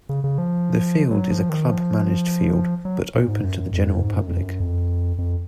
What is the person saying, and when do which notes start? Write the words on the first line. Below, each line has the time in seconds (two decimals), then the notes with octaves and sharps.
The field is a club managed field, but open to the general public.
0.09 C#3
0.24 C#3
0.38 F3
1.11 F#3
1.31 F3
1.49 D#3
1.69 F3
2.85 F#3
3.15 A#2
3.29 G#2
3.44 F#2
3.73 F2
4.02 G#2
4.14 F#2
4.27 F2
4.40 F#2
4.60 F2
5.18 F2